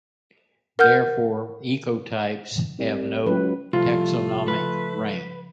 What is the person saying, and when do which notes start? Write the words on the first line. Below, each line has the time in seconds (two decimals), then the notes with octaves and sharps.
Therefore, ecotypes have no taxonomic rank.
0.79 A#4 F#5 F6 G6
2.78 C2
3.26 C#2 F#3 B4
3.73 C2 F3 A3 E4 F4 C5
4.48 C#3 F3 B4